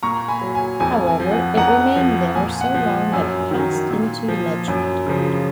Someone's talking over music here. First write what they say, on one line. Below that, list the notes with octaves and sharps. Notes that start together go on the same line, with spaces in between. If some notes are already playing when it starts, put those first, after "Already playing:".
However, it remained there so long that it passed into legend.
A#2 A#5 C#6
G#5 B5
F#3
G#5
F2 G#5
G#5
F3
F#5
F2 F#5 A#5
F3
A#2 G#5
F#5
F3
F#2 G#5
D#3 F#3
A#2
F3
F#2
C#3 F3